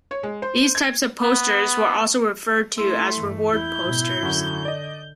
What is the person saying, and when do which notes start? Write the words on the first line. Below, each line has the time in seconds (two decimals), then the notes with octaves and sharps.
These types of posters were also referred to as reward posters.
0.11 C#5
0.23 G#3
0.42 C5
0.75 G#6
1.23 B3
2.78 A3 E4 C6 E6
3.16 G2 E3
3.52 E2 E4 G6
3.82 G#2 B2
4.23 F#2 D3 F#4
4.65 D5 D#5